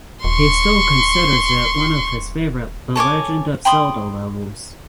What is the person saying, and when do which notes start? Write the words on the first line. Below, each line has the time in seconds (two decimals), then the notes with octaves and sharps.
He still considers it one of his favorite "The Legend of Zelda" levels.
0.24 D#1 C6 C#6
2.96 A4 C#5 G#5 D6
3.65 G5 B5 C6 D#6